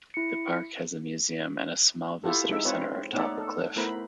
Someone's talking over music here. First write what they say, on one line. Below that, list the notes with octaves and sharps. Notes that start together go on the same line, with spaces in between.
The park has a museum and a small visitor center atop a cliff.
E4 C#7
E4 F4 G4 A4
G#3 D#4 E5
C4 F4 B4 C#5
A3 B3 D#4 C#5 D5 E5
A4
A3 B3 E4 A#4 C5 B5